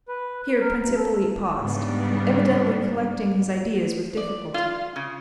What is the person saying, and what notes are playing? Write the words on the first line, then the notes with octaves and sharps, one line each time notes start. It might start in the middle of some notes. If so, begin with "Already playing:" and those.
Here Prince Hippolyte paused, evidently collecting his ideas with difficulty.
B4
A#4
G2
A4
G#2 C#3 G3 B3 D4
D5
F4
C#3